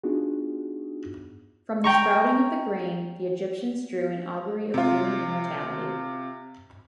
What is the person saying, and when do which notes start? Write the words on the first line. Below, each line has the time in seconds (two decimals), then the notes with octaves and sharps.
From the sprouting of the grain the Egyptians drew an augury of human immortality.
0.03 B3 D4 D#4 F4 F#4 G#4
1.84 G5 A#5 C#6
4.74 C3 F4